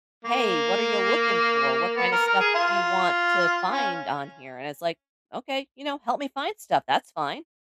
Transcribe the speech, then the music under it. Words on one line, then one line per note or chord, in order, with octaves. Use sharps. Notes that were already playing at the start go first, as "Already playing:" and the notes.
"Hey, what are ya looking for? What kinda stuff do you want to find on here?" And it's like, "Okay, you know, help me find stuff," that's fine.
A#3
B3
A#4
A#4
G#4
F4
C#4